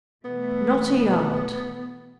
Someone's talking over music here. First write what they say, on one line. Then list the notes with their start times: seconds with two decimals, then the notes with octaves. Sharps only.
"Not a yard."
0.25 B2 E3 A3 B3